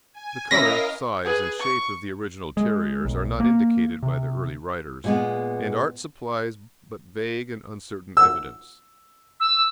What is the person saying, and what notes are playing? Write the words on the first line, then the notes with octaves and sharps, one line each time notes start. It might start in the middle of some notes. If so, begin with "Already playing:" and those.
The colour, size, and shape of the original terriers are not indicated by the early writers, and art supplies but vague and uncertain evidence.
G#5
C#4 E4 A#4 D#5 F5 A#6 B6
G#4 B4
C#6
G#3
B1
A#3
C3
A#2 G#3 B3
E6
E6